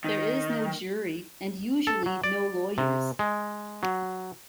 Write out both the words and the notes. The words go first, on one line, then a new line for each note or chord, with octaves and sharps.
There is no jury and usually no lawyers.
D#3
A4
F#3
D5
C3
G#3
F#3